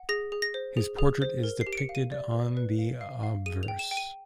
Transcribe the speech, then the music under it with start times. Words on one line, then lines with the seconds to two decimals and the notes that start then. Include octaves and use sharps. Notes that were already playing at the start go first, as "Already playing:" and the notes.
His portrait is depicted on the obverse.
Already playing: F#5
0.09 G#4 A#6
0.32 G#4
0.42 A#6
0.54 C5
0.77 G#4
0.99 G#4
1.22 C5
1.43 A#4
1.61 C7
1.67 G4
1.73 D7
1.78 C#7
1.89 F5
1.95 D#7
2.12 D5
2.33 B4
2.57 B4
2.78 F5
3.01 F5
3.23 F5
3.46 G#4 D#7
3.63 F7
3.68 G5
3.79 E7
3.91 G5
3.97 D#7